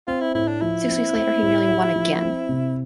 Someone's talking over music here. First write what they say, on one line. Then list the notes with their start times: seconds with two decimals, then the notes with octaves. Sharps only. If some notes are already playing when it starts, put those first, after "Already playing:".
Six weeks later he nearly won again.
0.08 C4 F4
0.21 E4
0.35 A2 E4
0.48 D4
0.62 F3 E4
0.88 C4
1.15 C4
1.42 A2
1.68 G4
1.96 F3
2.22 C4
2.49 C3